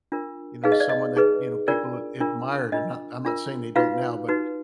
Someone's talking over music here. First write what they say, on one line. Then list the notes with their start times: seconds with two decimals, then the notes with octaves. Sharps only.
you know, someone that, you know, people ad admired, and not I'm not saying they don't now, but
0.12 D4 F4 A#4
0.64 D#4 G#4 B4 F5
0.72 D#5
0.80 D5
0.89 D#5
1.16 D#4 G#4 B4
1.68 D4 F4 A#4 D5
2.20 D4 F4 A#4
2.72 D4 F4 A#4 D#5
3.25 D4 F4 A#4
3.76 D#4 F4 F#4 B4 F5
4.29 D#4 F#4 B4